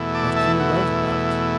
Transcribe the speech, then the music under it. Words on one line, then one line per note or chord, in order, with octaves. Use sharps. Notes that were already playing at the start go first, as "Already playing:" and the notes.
What can you write about?
Already playing: E2 B2 A3 E4
A5 D6
E5 A5
F#4